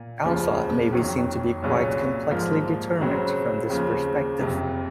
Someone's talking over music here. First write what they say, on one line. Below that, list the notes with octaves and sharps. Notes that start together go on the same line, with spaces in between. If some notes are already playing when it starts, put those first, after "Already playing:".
Alpha may be seen to be quite complexly determined from this perspective.
Already playing: A#2
F1 D#2 C#3 F3
F2 D#3 F#3
C2 A#2 F#3 C#4 G#4
G#2 F3 A#3
C#2 C#3 F#3 C4
D#2 C#3 F3 C4
F#1 F2 C3